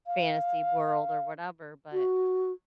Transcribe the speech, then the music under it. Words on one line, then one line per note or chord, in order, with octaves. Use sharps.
fantasy world or whatever, but
F5
F#4